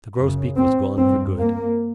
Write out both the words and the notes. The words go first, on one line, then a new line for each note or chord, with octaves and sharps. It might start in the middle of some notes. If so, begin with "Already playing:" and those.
The grosbeak was gone for good.
F#2 C#3
C4
G2 C4
A#3